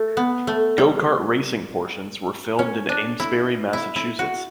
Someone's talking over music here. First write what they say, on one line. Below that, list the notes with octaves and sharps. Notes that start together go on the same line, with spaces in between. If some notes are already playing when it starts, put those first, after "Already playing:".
The go-kart racing portions were filmed in Amesbury, Massachusetts.
Already playing: A3
B3
A3
G3
C#4
D4
E4
E4
E4
F#4